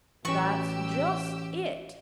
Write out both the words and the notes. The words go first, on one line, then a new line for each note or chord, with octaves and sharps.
'That's just it.
A1 E3 C#4 F#4 G4 C#6 E6